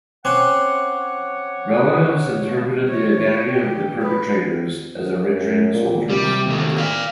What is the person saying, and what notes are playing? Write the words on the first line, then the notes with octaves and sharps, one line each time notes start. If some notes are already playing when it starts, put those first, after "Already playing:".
Relatives interpreted the identity of the perpetrators as Eritrean soldiers.
C4 C#4 C#5 F#5 C6 D6 F#6
C#5
G4
B4
F#2
A#2
C3 G3
D#2 A3
D5 F5